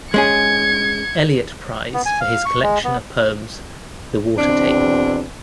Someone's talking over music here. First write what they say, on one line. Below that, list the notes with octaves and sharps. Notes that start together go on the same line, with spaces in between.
Eliot Prize for his collection of poems, "The Water Table".
G#3 C#4 G#4 G#6 C#7
B3
G#5
F5
C#6
G#3
B3
E2 B2 C4 D4